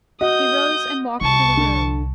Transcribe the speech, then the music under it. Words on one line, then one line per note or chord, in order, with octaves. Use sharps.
He rose and walked through the room.
F#4 D#5 D#6 G6
C2 A5 C#6
D3